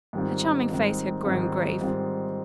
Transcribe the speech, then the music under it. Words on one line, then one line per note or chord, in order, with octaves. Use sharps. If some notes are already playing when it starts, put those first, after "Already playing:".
Her charming face had grown grave.
G#2 D#3 G3 C4 F4
G#2 D#3 G3 C4 F4
G#2 D#3 G3 C4 F4
G#2 D#3 G3 C4 F4